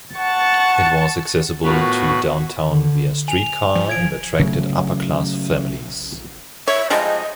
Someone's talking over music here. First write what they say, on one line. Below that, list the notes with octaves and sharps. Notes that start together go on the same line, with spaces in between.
It was accessible to downtown via streetcar and attracted upper-class families.
F#5 A5 C#6 A6
A2 B3 F4 F#4 A#4 B4 C#6
D3
G#5 F7
F3
G#6 D7
C#3 F#3 A3
C#5 E5
F3 G3 G#3 D#5